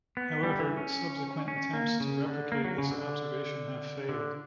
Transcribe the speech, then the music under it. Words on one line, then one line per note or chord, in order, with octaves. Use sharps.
However, subsequent attempts to replicate this observation have failed.
B3
G3
E3
C#4
C#4
A#3
C#3
D3
A#3
F#3
C#3
D3
D3